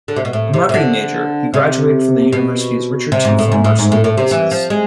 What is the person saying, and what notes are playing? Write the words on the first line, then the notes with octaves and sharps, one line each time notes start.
A marketing major, he graduated from the university's Richard T. Farmer School of Business.
D3
C3
B2
A2
C3
C3
D3
C3
B2
C3
G#2
A2
G#2
A2
G#2
A2
A2
C3
E3
F3
G#3